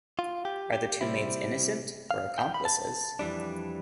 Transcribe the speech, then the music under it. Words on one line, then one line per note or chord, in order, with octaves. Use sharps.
Are the two maids innocent or accomplices?
F4
G4
G4
C3 G3 C4 E4
F5
G5
B5
A5
F2 E3 G3 D4